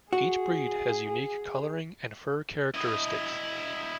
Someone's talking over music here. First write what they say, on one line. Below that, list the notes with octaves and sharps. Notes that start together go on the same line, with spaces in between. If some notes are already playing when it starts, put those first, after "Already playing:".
Each breed has unique coloring and fur characteristics.
F#4 G#4
E4 D#5